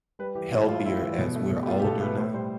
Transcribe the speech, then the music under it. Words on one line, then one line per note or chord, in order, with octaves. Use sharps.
healthier as we're older now,
G3 B4
E3 G4
A2 E4
A2 F4
G3 E4
E3 E4
B2
A3
B2
G4
A3 F4
G4
B2 A4
A3 B4
A2 C5
G3 C5